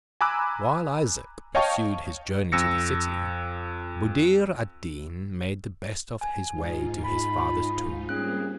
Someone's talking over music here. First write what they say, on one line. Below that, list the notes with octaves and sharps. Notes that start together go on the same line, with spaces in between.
While Isaac pursued his journey to the city, Buddir ad Deen made the best of his way to his father's tomb.
G#5 A#5 B5 D6 E6 F#6
C#5 D#5 F5 G5 A5 C#6
F2 E6 A#6 C#7
G#5
G#2 D#4 F4
B5
G3 A#3 C4 C#4 G#4 F#6